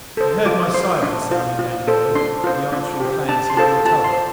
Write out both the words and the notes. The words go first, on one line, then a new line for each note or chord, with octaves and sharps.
I heard my sirens sounding down below, with the answering clangs here in the turret.
A4 C5
F4 D6
C5 C6
D4
F4 C5
F4
A4 C5
D4 C6
F4 C5
D4
G4 C5
D4 A5
C6
F4 A4 C5 A5
F4 A5
C6
C5